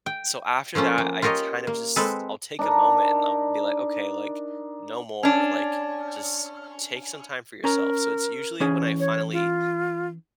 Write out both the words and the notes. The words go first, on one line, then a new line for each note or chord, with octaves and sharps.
so after that, I kinda just I'll take a moment, and I'll be like, "Okay. Like, no more. Like, just take some time for yourself." So, it's usually when I finally
G5
F3 A3 A#3 C#4 F4
A#3
F4 G4 A#4 C#5 D#5
A#3
G#3 C4 A4 B4
D4 D#4 A#4
C#4 D4
C#4 A#4 A#5
E3 C#4 G#4
C#5
F4